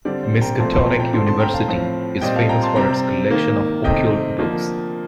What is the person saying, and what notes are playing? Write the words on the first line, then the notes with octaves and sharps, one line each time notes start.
Miskatonic University is famous for its collection of occult books.
D3 G3 C4 D5
C5
G5 A#5
A#2 F3 A3 C4 A5 C6
A5 C6
G5 A#5
G5 A#5
D3 A3 C4 A5 C6
A5 C6
G5 A#5
F5 A5
A2 F3 C4
A#2 G3 C4 D#5 G5
F5 A5
G5 A#5
A5 C6
C3 G3 C4 G5 A#5
D#3 A#3
C3 D#3 A3 C4 D#5 G5
D3 F3 A#3